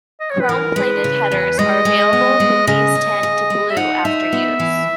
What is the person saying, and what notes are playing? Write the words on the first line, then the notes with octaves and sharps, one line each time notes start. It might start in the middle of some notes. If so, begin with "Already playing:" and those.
Chrome plated headers are available but these tend to blue after use.
D#5
C#5
B4
E3 A#4
G#3 B4
C#3
E2
G#3 D#5
G#3
B3
G#3
C#3 D#5
C#4
C#3
G#3
E5
D#4 F#5
D#4 E5
B3
E3